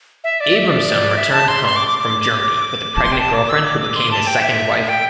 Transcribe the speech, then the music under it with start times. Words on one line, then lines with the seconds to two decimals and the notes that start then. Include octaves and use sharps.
Abramson returned home from Germany with a pregnant girlfriend who became his second wife.
0.24 E5
0.41 D5
0.56 E5
0.70 D5
1.17 E5
1.32 A5
1.48 C6
1.64 C6
1.76 D6
1.87 D6
1.99 D6
2.96 A5
3.03 C6
3.12 G5
3.19 A5
3.34 D6
3.49 E6
3.65 D6
3.80 D6
3.96 C6
4.11 A5
4.27 G5
4.42 E5
4.89 G5